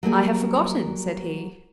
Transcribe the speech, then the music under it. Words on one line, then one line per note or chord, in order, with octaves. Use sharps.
"I have forgotten," said he.
F#3 G3 A#3 G#4